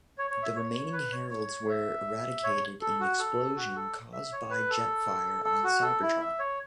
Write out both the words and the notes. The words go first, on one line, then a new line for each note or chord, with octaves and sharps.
The remaining heralds were eradicated in an explosion caused by Jetfire on Cybertron.
C#5
C#5
E5
C#5
B4
C#5
C#5
E5
C#5
A4
F#4
A4
F#4
A4
E5
C#5
B4
A4
A4
F#4
A4
E4
E5
C#5